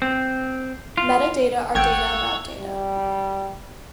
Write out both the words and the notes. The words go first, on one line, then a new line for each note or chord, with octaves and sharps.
Metadata are data about data.
C4
F4
G#1 A4 C#5 F#5 G5 G#6
G3